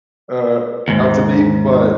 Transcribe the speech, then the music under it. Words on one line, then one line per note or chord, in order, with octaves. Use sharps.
uh, out to be, but
D#2 G#2